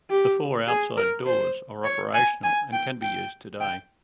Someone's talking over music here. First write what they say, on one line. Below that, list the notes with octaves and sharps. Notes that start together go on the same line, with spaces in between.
The four outside doors are operational and can be used today.
G4
G#4
A#4
C5
C#5
G#5
G#5
G5
G5
G5